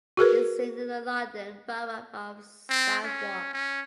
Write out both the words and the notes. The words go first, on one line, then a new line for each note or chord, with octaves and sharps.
It is in the London Borough of Southwark.
F#4 G#4 A#4 B4
C4
C#4
C#4